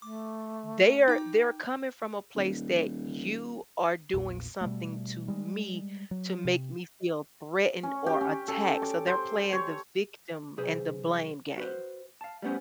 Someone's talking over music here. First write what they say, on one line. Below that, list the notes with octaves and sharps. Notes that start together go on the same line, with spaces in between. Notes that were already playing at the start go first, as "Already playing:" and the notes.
They are they're coming from a place that "you are doing something to me to make me feel threatened or attacked," so they're playing the victim and the blame game.
A3 D6
D#4 G5 D6
D#1
A#1 E2 A#2
B2 G3 A3
G3 G#3
F#3
C3
C#4
G4
C#4
A4
D6
C5
C#5
B1 C3 G#4 B4 C5
F#4 B4 C5
F5 A5
G3 A3 B3 C#4 C5